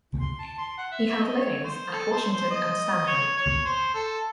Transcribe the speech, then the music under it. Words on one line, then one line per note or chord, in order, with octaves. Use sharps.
He held livings at Washington and Stanhope.
C6
A5
C6
F#5
E5
E5
D#5
C#5
C5
A4
C5
C5
D#5
C#5
C#5
C5
A4